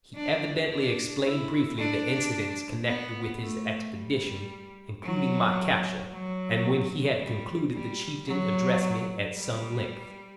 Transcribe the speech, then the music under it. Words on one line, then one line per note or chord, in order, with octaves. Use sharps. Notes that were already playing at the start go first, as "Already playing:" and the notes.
He evidently explained briefly the incidents connected with his expedition, including my capture, and when he had concluded the chieftain addressed me at some length.
D4
D4
E4
D4
B3
A3
G3
F#3
F#3
G3
G3
F#3
G3